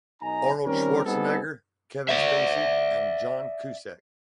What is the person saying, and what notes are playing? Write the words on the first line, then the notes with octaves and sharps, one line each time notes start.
Arnold Schwarzenegger, Kevin Spacey, and John Cusack.
B1 D#4 G#5 A#5
D#3 G3 C4 C#4 A#4
G3 B3 C4 D#4 G#4 A4
D5 E5